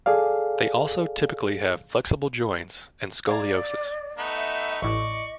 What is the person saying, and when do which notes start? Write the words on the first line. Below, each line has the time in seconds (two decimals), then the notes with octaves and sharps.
They also typically have flexible joints and scoliosis.
0.06 G#4 A4 D5 F5
3.27 D5 F5 A#5 G#6
4.18 A3 B3 D#4
4.37 E5
4.82 A1 A2 D5 D#5 C#6